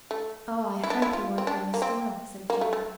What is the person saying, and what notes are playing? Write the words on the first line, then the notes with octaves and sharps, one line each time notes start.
"Oh, I hope he won't bring a storm," said Jean.
A3
E4
D4
E4
F4
C4
D4
A#3
C4
A#3
A3
A3